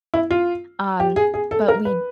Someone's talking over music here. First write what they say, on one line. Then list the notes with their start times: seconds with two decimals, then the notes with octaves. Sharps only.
um, but we
0.14 E4
0.31 F4
1.00 G4
1.16 G#4
1.34 G#4
1.51 A4
1.68 A#4
1.85 B4